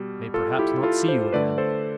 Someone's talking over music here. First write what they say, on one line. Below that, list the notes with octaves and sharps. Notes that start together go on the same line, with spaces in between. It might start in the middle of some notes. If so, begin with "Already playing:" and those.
"I may perhaps not see you again..."
Already playing: B2 G3
F4 A4
E4 G4
F4 A4
A4 C5
D3 A3 B4 D5
A4 C5